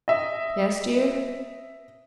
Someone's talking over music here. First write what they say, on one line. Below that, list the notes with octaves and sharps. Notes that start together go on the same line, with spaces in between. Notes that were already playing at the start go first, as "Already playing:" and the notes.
"Yes, dear?"
D#5 E5